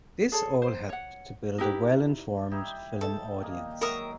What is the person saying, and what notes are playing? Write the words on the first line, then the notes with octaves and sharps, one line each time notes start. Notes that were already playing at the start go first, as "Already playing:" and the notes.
This all helped to build a well informed film audience.
G#4 A4 C#5
C5
C#5 F#5
D#4 E4 G4 B4
G3 D#4 E4
A4
D#3 A#3 D#5
F#3 G#3 A#4 E5 D#6